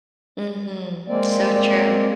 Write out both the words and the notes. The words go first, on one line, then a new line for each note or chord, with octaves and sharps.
Mhm, so true.
G#3 A#3 C4 D5